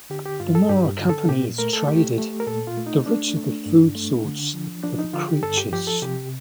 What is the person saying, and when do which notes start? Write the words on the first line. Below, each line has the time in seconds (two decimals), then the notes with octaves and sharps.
The more a company is traded, the richer the food source for the creatures.
0.10 D3 G4
0.25 G4
0.40 G2 F4
0.55 A4
0.69 G2 G4
0.99 D3
1.09 A4
1.28 A#2 G4
1.58 A3 A#4
1.73 A4
1.88 A3 G4
2.18 A3
2.40 A#4
2.47 A#2 A4
2.67 F4
2.77 A3
2.87 D#4
3.06 A3 D4
3.36 A3
3.66 G2
3.95 A3
4.25 D3
4.54 F3
4.84 F3 D4
4.99 D#4
5.13 D3 F4
5.28 G4
5.43 G2 A4
5.58 G4
5.73 F3 G4
5.87 A4
6.02 C3 G4